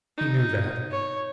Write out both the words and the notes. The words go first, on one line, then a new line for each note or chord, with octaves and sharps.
He knew that.
D#4
C#5